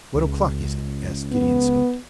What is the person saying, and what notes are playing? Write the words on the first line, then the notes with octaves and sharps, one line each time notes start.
"What o'clock is it?" asked Gideon Spilett.
C#2
B3